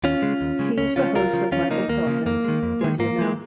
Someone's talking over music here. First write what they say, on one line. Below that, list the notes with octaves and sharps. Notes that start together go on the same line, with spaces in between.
He is the host of Michael Feldman's Whad'Ya Know?
D#2 C#4 F4
C#3 G#3
D#2
C#3 G#3
C#2 C#4
C#3 F3 C#4 F4
C#2 F4 A#4
C#3 F3
D#2 C#4 F4
C#3 F3 A#3 D#4
D#2 A#3
C#3 F3
F2 A#3
D#3 G#3
F2
D#3 G#3
G#2 A#3
F3 G#3